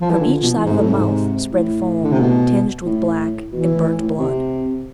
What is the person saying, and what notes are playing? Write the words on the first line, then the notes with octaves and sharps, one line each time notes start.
From each side of the mouth spread foam, tinged with black and burnt blood.
F3
E3
D3 F3
F3
B2
E3
G#2
C3
A2
G#2 C3
A2
D3
C3
B2
A2
B2 E3
A2
A2
C3